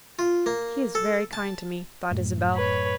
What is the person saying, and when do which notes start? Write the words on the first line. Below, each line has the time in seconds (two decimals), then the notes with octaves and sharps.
"He is very kind to me," thought Isabel.
0.19 F4
0.46 A#3
0.95 A4
1.33 A5
2.11 F#2 A2
2.56 B4 C#5